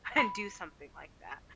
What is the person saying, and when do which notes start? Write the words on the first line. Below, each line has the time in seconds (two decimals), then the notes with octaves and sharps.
and do something like that.
0.18 B5